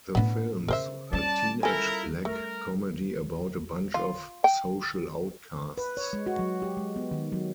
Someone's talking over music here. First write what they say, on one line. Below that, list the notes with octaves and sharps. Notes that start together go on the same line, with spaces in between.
The film's a teenage black comedy about a bunch of social outcasts.
A2 B3 D4
C#3 A#4 C5 E5
G3 C#4 D5 A5
E4 F4 A4 A#4 G#5
A3 A#4
F4
G5
B4
C#5
G#3
F#4
F#3
G4
G#3
B3
D#3
F#3